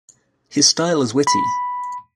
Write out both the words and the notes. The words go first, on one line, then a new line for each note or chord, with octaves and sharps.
His style is witty.
B5